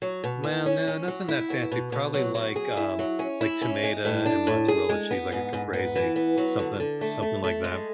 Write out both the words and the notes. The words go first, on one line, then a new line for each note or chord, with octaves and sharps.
Well, no, nothing that fancy, probably like, um like, tomato and mozzarella cheese, like a Caprese something something like that,
F#3
B2
E2
C#4
C#4
F#3
E4
B2
B2
B2
F#3
F#3
G#4
E4
F#3
C#4
E4
C#4
G#3
A2
D4
A2
G#4
G#3
B3
G#2
G#2
B3
E3
B3
F#3
D3
D3
A3
A3
A3
G#3